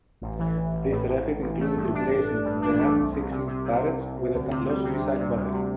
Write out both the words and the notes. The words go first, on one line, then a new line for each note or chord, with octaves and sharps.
This refit included replacing the aft six-inch turrets with a Talos missile battery.
A1
E3
A1
A1
A2
A1
A1
A1
A3
G2
D4
D4
D4
G2
D4
A3
C2
C2
C3
C3
C3
C3
C2
C2
D2
C3
G3
C3
D2
C3
D2
C3